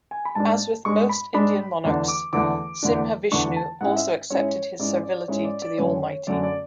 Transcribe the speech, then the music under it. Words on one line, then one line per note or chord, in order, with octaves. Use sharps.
As with most Indian monarchs, Simhavishnu also accepted his servility to the Almighty.
G#5
B5
G#2 G#3 D4 A5
G#2 G#3 D4 C#6
B5
G#2 G#3 D4 B5
E2 D3 A3 D4
D6
E2 D3 A3 D4 D6
E2 D3 A3 D4
E2 D3 A3 D4 C#6
A5
G#2 G#3 C#4 E4 F#5
E5
G#2 G#3 C#4 E4 C#5
G#2 G#3 C#4 E4 D5
D5
G#2 G#3 C#4 E4 C#5
D5
D5
F#2 D3 A3 C#4 C#5
C#5
F#2 D3 A3 C#4 D5
D5